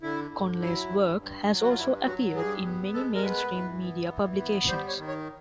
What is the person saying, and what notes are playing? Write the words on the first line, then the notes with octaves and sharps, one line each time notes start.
Conley's work has also appeared in many mainstream media publications.
D3 E4
D3
F#3 E4
G2
G2
F#3
F#4
F4
G2 E4
F#3 F#4
G2 G#4
B3
G#3 A4
A#4
B3 B4
E3
B3
E3
B3
G3 C5
C#5
D#3
C#5